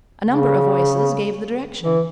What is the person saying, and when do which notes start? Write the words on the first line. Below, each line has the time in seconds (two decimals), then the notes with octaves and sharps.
A number of voices gave the direction.
0.28 C#3
1.82 E3